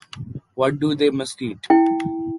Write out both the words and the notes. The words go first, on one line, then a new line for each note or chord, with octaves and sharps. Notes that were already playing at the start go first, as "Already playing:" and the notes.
What do they must eat?
E4 G5